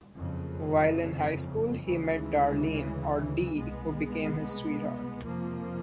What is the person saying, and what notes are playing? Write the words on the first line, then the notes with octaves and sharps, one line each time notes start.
While in high school he met Darlene, or "Dee", who became his sweetheart.
F#1 F2 C#3
D2 C#3 E3 G#3
C2 B2 G#3 B3
F2 C3 F3 A#3